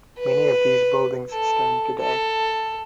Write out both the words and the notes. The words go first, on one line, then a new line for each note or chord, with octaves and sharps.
Many of these buildings stand today.
B4
A4
A4